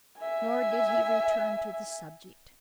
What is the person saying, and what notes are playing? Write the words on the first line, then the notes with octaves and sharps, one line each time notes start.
Nor did he return to the subject.
E5 G#5